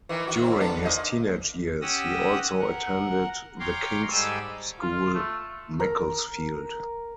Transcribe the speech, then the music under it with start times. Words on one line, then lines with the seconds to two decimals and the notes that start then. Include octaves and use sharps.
During his teenage years he also attended The King's School, Macclesfield.
0.09 D#3 E3
0.27 D#3 F#4
0.42 D#2 G#2 C4
0.60 B3 D4
0.83 A#2 D#5
1.81 C#4 G4 F#5 D#6 E6 A#6
2.59 A#4 F#5
3.60 C#5 F5 G5 A#5 C6 D6
4.10 G#2 G3 A4 G#5 D6 E6
4.80 F4
5.14 A3
5.80 A#4